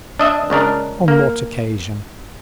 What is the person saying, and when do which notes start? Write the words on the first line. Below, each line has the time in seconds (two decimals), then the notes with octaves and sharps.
"On what occasion?"
0.19 D4 D#5 E5
0.50 C#2 C#3 D4 A#4
1.08 A#3